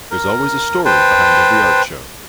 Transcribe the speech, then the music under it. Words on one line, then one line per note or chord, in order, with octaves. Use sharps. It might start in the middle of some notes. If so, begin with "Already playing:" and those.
There's always a story behind every art show.
A#4
B4 C5 G5 A5